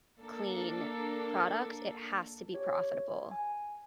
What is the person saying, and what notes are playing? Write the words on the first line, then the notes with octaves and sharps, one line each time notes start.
clean product, it has to be profitable.
A#3 D4 A4 A#4
G4 C#5
G#5